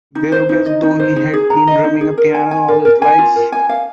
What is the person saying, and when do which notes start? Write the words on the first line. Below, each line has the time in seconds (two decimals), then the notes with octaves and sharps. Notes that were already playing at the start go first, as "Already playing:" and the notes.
They look as though he had been drumming a piano all his life.
0.15 D#4
0.32 C5
0.49 D#4
0.66 D#5
0.83 D#4
1.00 C5
1.16 D#4
1.33 G#4
1.50 A#5
1.67 D#5
1.84 D#4
2.01 G#4
2.18 A#4
2.35 G#5
2.51 G#5
2.68 A#4
2.85 A#4
3.02 G#5
3.18 F4
3.36 A#4
3.52 G#5
3.69 F5